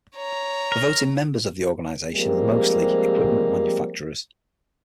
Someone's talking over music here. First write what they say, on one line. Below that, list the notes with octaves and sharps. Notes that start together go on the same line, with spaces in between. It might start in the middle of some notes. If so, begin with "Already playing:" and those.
The voting members of the organization are mostly equipment manufacturers.
C#5 A#5
A#4
F3 G3 G#3 A#3 C4 G4